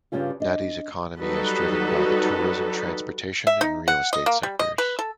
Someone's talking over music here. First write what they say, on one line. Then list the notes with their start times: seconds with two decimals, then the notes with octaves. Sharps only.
Nadi's economy is driven by the tourism, transportation and real estate sectors.
0.12 G2 C#3 G3 C#4 F4
0.40 D4 D#5
1.18 F#3 G3 D#4 F#4 A4 B4
3.47 E5
3.61 D#4
3.88 F#5
4.13 D#5
4.26 A#3
4.43 G3
4.59 D#5
4.78 B4
4.99 A4